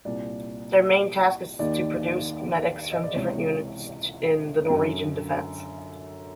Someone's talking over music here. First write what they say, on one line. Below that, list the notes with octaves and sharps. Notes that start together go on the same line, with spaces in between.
Their main task is to produce medics for different units in the Norwegian defence.
C2 A#2 D5
D#2 D#3 D5
D#5
D5
C#2 C3 E3 C#5
F#2 D3